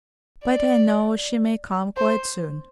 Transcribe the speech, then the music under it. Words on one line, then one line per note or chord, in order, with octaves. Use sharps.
But I know she may come quite soon.
D5
C5